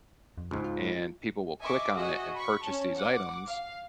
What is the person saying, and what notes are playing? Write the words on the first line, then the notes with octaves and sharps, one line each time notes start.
and people will click on it and purchase these items
F2
C#2 G#2
F4
D#5 E5 G#5 C#6 D6
F#4 G#4 D#5 E5
B5 C#6
C#4 A5
F#5 D6
F5